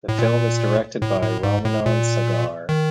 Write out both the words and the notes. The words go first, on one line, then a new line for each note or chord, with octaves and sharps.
The film is directed by Ramanand Sagar.
A2
A#2
A2
A2
G#2
A2
A#2
D#3